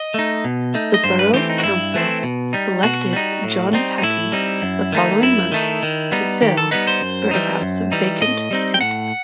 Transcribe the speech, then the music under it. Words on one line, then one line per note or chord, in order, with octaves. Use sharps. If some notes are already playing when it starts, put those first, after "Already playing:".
The Borough Council selected John Patti the following month to fill Bertekap's vacant seat.
Already playing: D#5
A3 D#4
B2
A3 D#4
D#5
G2 C5
B4
E3 A3 C4 G4
D#4
F#4
G2 E4
E3 A3 C4
B2
G3 D#4
B2 F#4
G3 D#4
A2
G3 C4 D#4
D#4
A2 E4
G3 C4 D#4
F#2
D#3 A3 D#4
F#2 E4
D#3 A3 D#4
D#3
G3 B3 D#4
D#3 G4
A4
G3 B3 D#4 B4
C5
F#2
E3 G3 D#4
F#2
E3 G3 D#4
A2 D#5
G3 C4 D#4
G5
A2 F#5